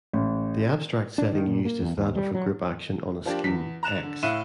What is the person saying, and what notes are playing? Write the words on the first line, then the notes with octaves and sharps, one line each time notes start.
The abstract setting used is that of a group action on a scheme "X".
A1
D4
D#3
A#2
A#3
E2
D#2
G3
F#3
F3 A#3 D4 G4
E2 B6
A#5 F#6 E7 F7
D3
A2 E5 F5 F#6 D#7 E7